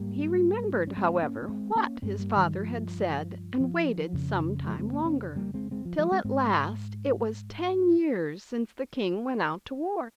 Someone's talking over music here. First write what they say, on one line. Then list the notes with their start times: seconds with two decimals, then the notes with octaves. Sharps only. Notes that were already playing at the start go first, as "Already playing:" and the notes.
He remembered, however, what his father had said, and waited some time longer, till at last it was ten years since the king went out to war.
Already playing: G#2 G3 A#3
0.87 C#4
0.97 G#3 C4
1.22 A#3 C#4
1.42 C#4
1.49 G#3 C4
1.76 A#3 C#4
2.02 G2 G#3 C4
2.19 G3 A#3
2.37 D#3 G3
2.55 F3
3.60 F3
4.13 F2 C#3
4.66 F3 G#3
4.79 G#3 C4
4.93 A#3 C#4
5.06 A#3 C#4
5.36 G3 A#3
5.54 G#3 C4
5.71 G#3 C4
5.85 F3
5.98 F3 G#3
6.12 G#3 C4
6.25 G#2 G#3 C4